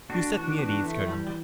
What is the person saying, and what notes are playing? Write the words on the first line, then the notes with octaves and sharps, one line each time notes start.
"You set me at ease, Colonel."
A2 D4 F#4
E3 D4 F#4
B3 D4 F#4
E3 A3
E3 G3
G3